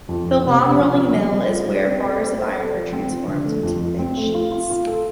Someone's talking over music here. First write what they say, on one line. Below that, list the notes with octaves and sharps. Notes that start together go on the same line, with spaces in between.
The long rolling mill is where bars of iron were transformed into thin sheets.
F2
F2
C3
C3
F3
F3
G3
G3
F4
G3
C4
A4
C5
C5
A4
F3
C4
F3
D3
A3
F2
F2
C4
A3
F4
F4
F4
A4